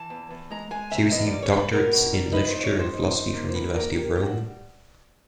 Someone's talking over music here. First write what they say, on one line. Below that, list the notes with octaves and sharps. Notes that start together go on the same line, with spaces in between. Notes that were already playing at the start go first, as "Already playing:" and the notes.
She received doctorates in literature and philosophy from the University of Rome.
Already playing: E3 A5
E2
E2
G#3 A#5
G#3 G#5
C3 E5
E2 D#5
D5
G3
C#5
G3
B4
B3 A#4
B2
G3
D#4 B4
D#4 C5
C#5
G3
C5
D#4
D#4
A#3
C5
D#3 B4
A#3 A#4
D#3 G4
G3 G4
F#4